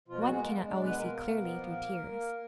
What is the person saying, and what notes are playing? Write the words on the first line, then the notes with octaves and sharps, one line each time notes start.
One cannot always see clearly--through tears.
B2 F3 F4
F#3 F#4
G#3 B3 G#4
A#3 A#4
G#3
D4 D5
B2
B3 B4
B2 A#3 A#4
B3
F3
A#2
A#2
A#3